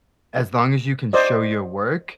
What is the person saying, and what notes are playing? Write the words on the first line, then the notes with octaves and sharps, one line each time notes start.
as long as you can show your work
C5 D5 D#5